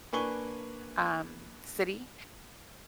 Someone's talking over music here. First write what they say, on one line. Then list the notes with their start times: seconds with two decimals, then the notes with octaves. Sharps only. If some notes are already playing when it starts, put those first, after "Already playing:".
um, city.
0.13 A#3 D4 B4 G#5 C#6 G7